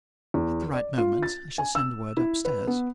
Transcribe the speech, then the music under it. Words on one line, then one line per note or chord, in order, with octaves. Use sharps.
At the right moment, I shall send word upstairs.
E2
D5
F4
A6
G#5
E6
E4
B4
B3